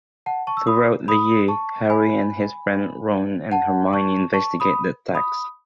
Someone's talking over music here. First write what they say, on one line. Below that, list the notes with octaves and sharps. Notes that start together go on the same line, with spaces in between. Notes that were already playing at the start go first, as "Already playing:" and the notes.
Throughout the year, Harry and his friends Ron and Hermione investigate the attacks.
F#5 A5
A5 C#6
E6
B5 D#6
B5 D#6
A5 C#6
G#5 B5
F#5 A5
A5 C#6
A5 C#6
B5 D#6
B5 D#6